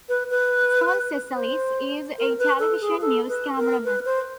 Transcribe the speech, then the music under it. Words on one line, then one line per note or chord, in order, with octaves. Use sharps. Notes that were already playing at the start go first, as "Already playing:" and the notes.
John Cassellis is a television news cameraman.
B4
B4
C5
A#4
B4
A4
G#4
A4
B4
A#4
B4
C5